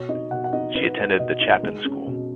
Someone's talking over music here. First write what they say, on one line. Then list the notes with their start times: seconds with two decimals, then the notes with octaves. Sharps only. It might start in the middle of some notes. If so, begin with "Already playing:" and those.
She attended the Chapin School.
Already playing: B2 C#5
0.09 D#4 D#5
0.31 B2 F#5
0.44 F#5
0.53 D#4 D#5
0.75 D#4 B4
0.97 D#4 B4
1.19 B2 D#5
1.41 D#4 D#5
1.63 G#3
1.85 C#4
2.07 B2